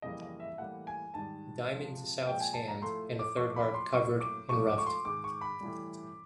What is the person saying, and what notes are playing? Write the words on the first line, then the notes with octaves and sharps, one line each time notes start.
A diamond to South's hand, and a third heart covered and ruffed.
F2 C#3 E3 G3 A#3 D#5
D#5
E5
A2 E3 G3 A#3 F#5
G#5
G#2 D#3 G3 A5
C3 F3 G#3
A#2 F3 G#3 G5
G#5
A5
A#5
A2 F3 A3 C6
D6
A2 F3 A#3 C#6
B5
C6
A2 F#3 A#3 C#6
D6
G#2 F3 A3 C#6
D6
C#6
C6
G#2 D#3 G#3 D6
C#6
B5
A2 E3 G3